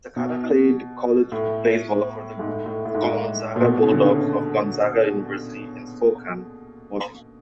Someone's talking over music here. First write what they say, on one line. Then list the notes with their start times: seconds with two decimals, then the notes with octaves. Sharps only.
Sakata played college baseball for the Gonzaga Bulldogs of Gonzaga University in Spokane, Washington.
0.16 B2
1.32 A2
2.39 G#2
2.47 A2
2.66 A2
2.85 A2
2.95 G#2
3.04 A2
3.56 A#2
3.62 B2
3.83 C#3
3.91 D3
4.05 C#3